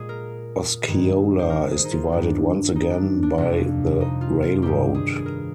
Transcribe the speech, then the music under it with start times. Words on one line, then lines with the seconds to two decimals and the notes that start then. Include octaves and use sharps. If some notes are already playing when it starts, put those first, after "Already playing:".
Osceola is divided once again by the railroad.
Already playing: A#2 G#3 G#4
0.09 A#4
0.88 G2 D#3 G#3
1.39 C5
1.50 A#4
1.71 G#4
1.85 D#4
1.91 F4
2.12 G2 D#3 G3 D4
2.75 D#4
2.91 D4
3.23 D4
3.38 F2 C3 G3 D4
4.01 D#4
4.21 F4
4.42 F4
4.62 G2 D#3 G3 G4
4.94 G#4
5.15 G#4
5.26 A#4